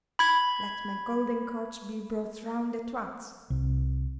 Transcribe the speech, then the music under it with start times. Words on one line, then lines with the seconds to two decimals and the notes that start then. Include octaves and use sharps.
Let my golden coach be brought round at once.'
0.19 B5 G#6
3.50 C2